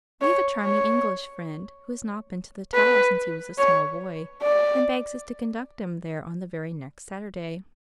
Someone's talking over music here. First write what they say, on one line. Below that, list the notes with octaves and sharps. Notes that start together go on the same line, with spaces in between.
We have a charming English friend who has not been to the Tower since he was a small boy, and begs us to conduct him there on the very next Saturday.
C#5
C#5
B4
C#5
D5